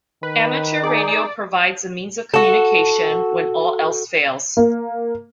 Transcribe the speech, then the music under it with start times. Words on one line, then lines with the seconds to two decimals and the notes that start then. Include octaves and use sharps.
Amateur radio provides a means of communication "when all else fails".
0.23 D#3 B4
0.83 D#4 G#4 D5
2.34 F#4 A4
4.57 A#3